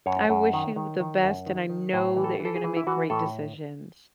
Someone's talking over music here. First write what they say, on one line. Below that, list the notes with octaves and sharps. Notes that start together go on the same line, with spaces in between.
I wish you the best, and I know that you're gonna make great decisions.
F#2 C#5
F#2
D#3
D#3
D#3
F#2
D#3
D#3
A2 C5
E3
A4
E3
A4
G#4
E3
E4
E3 F#4
A2 A4